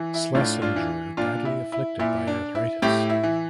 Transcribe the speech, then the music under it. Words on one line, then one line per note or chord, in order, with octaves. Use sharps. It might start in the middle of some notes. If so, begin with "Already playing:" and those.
Schlesinger badly afflicted by arthritis.
Already playing: E3
E4
A2 D4 F4
D4 F4
E3
A#2 D4 F4
E4
E4
A#2 E4
D4
E4
A2 E4 G4
E4
E3